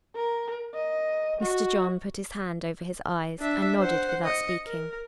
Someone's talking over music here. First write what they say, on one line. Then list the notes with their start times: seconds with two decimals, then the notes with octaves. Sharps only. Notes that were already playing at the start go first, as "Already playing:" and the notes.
Mr. John put his hand over his eyes and nodded without speaking.
0.15 A#4
0.75 D#5
1.41 F#4
3.40 D4 E5
3.80 C5 F#5
4.24 D#5 C#7
4.67 A#4